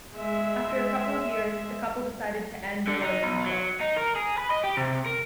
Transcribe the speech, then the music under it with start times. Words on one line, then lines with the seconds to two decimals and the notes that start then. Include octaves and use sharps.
After a couple of years, the couple decide to end their relationship.
0.13 G#3 E5
2.87 D3
3.01 D#4
3.22 B1
3.46 F#3
3.81 D#4
3.97 A#4
4.16 G#4
4.38 B4
4.51 D#5
4.64 G4
4.77 C3
5.06 A#4